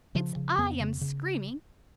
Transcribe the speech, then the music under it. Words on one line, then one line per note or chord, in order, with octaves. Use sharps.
It's I am screaming.
C#3 F3
C#3
F2 B3
C#3
C#3